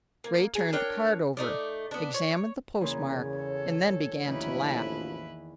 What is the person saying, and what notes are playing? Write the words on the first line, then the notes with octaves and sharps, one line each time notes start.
Ray turned the card over, examined the postmark, and then began to laugh.
A#3
F#3 G#4
D4 A#4 C#5 G5
A3 D#4 D5
B3 D4
C#5
E2 C#3 A#3 C#5 C6
A4
A1 E2 D3 D#3 F3 A#3 E4 B4